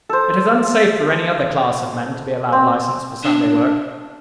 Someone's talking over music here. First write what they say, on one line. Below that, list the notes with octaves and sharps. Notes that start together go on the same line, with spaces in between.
It is unsafe for any other class of men to be allowed license for Sunday work.
A4 C5
C4
D4